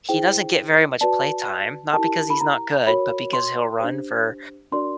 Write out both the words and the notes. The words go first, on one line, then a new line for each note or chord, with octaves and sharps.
He doesn't get very much playtime, not because he's not good, but because he'll run for
E4 G#4 C5 G5
F#4 B4 D5 A5
E4 G4 A#4 A5
B5
A#5
F#4 A#4 C#5 B5
C6
D4 G4 C5
D4 F#4 A#4 D5 C6